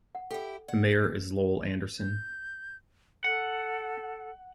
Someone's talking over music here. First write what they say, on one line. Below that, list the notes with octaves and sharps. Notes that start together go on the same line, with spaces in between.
The mayor is Lowell Anderson.
F#5
E4 G4 A4 G5
D5 F#5
G6
A4 F#5